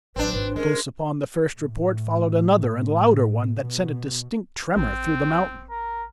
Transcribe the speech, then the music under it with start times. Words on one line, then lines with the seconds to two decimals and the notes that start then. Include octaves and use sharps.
Close upon the first report followed another and louder one, that sent a distinct tremor through the mountain.
0.16 A1 F#3 C4 D4 B4
0.33 G#1 B4
0.56 G#3 C#4 A#4
1.54 A2
3.60 B2
4.76 A1 C4
5.70 A#4